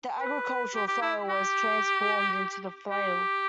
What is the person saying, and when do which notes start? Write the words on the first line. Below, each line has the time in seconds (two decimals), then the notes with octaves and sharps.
The agricultural flail was transformed into the flail.
0.20 B4
0.75 G4
0.88 G4
1.02 E4
1.29 G4
2.91 G4